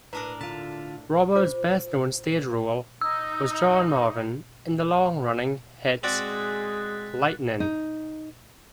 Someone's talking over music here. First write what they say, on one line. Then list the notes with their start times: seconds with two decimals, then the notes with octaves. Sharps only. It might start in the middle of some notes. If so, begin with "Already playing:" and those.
Robards' best known stage role was John Marvin in the long-running hit "Lightnin"'.
0.13 A2 D4 A#4 B4 A#5 D#6
0.41 D3 F4 A5 B6
1.36 F4 C5 D6
3.01 D#4 E6
6.03 G#3 C4 F#4 G#4 D5 F#6 A6 B6
7.60 D#4